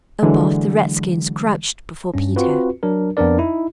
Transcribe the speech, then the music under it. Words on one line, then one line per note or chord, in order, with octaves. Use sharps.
Above, the redskins crouched before Peter.
D3 E3 F#3 G#3
G2 C#4
C4 F4 F#4 B4
F#3 D4 A#4
F2 B3 C4 D4 A#4 D5
D#4 E4